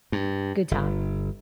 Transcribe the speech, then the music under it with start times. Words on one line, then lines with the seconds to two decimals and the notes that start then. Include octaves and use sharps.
Good times.
0.12 G2
0.71 G1